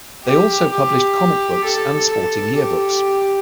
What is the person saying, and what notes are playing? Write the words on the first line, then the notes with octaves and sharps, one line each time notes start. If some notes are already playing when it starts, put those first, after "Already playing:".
They also published comic books and sporting yearbooks.
G4
G4
A4
A4
G4